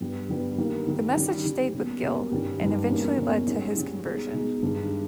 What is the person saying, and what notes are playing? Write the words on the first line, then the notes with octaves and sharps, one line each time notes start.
The message stayed with Gill and eventually led to his conversion.
G2 G3 B3
G2 G3 B3
D#3 G3 A#3
D#3 G3 A#3
D#3 G3 C#4 G4
D#3 G3 C#4 G4
B2 A#3 C#4 G4
B2 A#3 C#4 G4
G2 D#3 G3 C#4
G2 D#3 G3 C#4
E2 B2 A#3 C#4
E2 B2 A#3 C#4
G#2 G3 C#4
G#2 G3 C#4
B2 G#3 D#4 G#4
B2 G#3 D#4 G#4
G2 D#3 G#3 D#4